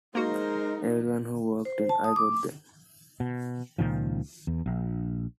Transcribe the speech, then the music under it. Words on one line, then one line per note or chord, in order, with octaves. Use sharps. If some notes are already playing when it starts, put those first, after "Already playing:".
Everyone who walked in, I got them.
G#3 A#3 D#4 F#4 A#4 C5
C5
A5
D#6
D6
B2
C#2 A#2 D#3 F3
E2
A#1